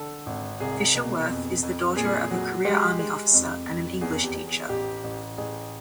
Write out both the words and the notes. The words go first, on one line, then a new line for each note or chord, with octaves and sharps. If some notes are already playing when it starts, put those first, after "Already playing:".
Fisher-Wirth is the daughter of a career Army officer and an English teacher.
Already playing: D3 A4
G#1
C2 G#4
B2
F2
F2
A#2 G#4
F#3
G#3 G4
G#3
F2
F2
E2 G#4
G4
E2
G#4
A1 G4
A1
A1 G#4